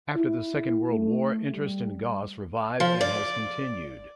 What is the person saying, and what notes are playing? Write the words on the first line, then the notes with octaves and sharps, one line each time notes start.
After the Second World War interest in Goss revived and has continued.
E4
A3
G3
F3
D5